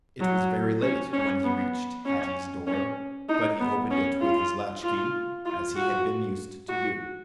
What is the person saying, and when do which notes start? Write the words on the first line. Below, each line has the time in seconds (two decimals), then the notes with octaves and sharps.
It was very late when he reached Hattie's door, but he opened it with his latch-key, as he had been used to do.
0.21 F#3
0.82 C#4
1.13 C#4
1.43 B3
2.06 C#4
2.67 C#4
3.29 D#4
3.60 B3
3.90 C#4
4.21 F4
4.83 F4
5.45 F4
5.76 F#4
6.69 F#4